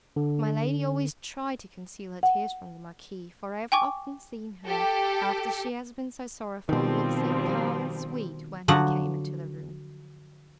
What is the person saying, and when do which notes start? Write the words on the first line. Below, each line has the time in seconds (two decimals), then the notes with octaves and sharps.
My lady always tried to conceal her tears from the Marquis, for I have often seen her, after she has been so sorrowful, look so calm and sweet, when he came into the room!
0.16 D3
2.23 F#5
3.72 G5 G#5 C#6 D6
4.66 G4 A4
6.69 B2 D#3 F3 G3 C4
8.68 D3 F3 F#3 F#5